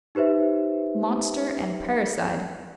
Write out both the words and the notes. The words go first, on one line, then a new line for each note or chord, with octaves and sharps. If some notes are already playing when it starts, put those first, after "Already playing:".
Monster and parricide!
D#4 G4 B4 C5 E5